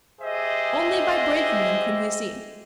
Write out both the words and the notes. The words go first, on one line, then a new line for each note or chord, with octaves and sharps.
Only by breaking them could he see.
G4 G#4 C5 D#5 E5